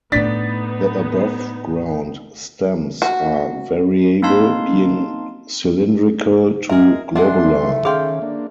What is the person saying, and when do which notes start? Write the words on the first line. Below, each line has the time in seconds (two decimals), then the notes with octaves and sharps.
The above-ground stems are variable, being cylindrical to globular.
0.12 A2 D3 B3 D4 D#4 A6 B6
3.02 F#4
4.22 A#3 C4 D#4 F5 A5 C6
6.70 G#3 G#4 A#4 E5
7.16 G3 A3 D4 G#4 D#5 F#5 G#5 C6
7.85 D#3 C#4 G#4 F5 G5 C6
8.22 A#3 D4